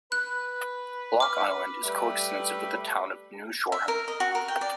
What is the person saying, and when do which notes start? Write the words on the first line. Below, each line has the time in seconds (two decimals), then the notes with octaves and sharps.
Block Island is coextensive with the town of New Shoreham.
0.12 B4 F#6
1.20 D6 F6
1.83 G3 A3 B4
3.72 E5
3.88 A#4
4.08 D#5
4.20 F#4
4.35 A#4
4.48 G5
4.61 D5